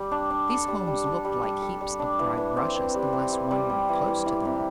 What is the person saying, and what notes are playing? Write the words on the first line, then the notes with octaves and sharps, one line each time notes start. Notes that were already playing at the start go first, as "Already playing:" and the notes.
These homes looked like heaps of dried rushes, unless one went close to them.
Already playing: G3
D4
D4
A4
G3
G3
A4
G3
G3
A4
G3
D4
E3
E3
C4
E3
G3
E3
E3
G3
G3
E3
E3
E3
C3